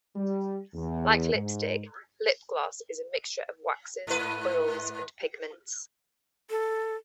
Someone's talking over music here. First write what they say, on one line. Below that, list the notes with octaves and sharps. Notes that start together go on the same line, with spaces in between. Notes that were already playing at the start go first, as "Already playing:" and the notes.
Like lipstick, lip gloss is a mixture of waxes, oils, and pigments.
G3
E2
G#2
G#2 B4
A4